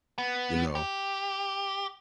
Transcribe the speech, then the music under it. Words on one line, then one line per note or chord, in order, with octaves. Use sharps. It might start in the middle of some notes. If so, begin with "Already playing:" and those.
you know?
B3
G4